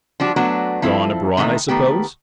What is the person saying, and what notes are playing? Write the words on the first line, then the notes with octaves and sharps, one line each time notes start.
"Gone abroad, I suppose?"
F3 G3 D4 F#4
F#3 A3 B3 D4 F#4
F3 C4 E4 A4
C3 D#3 E3 F#3 A3
D#3 A3 B3 G4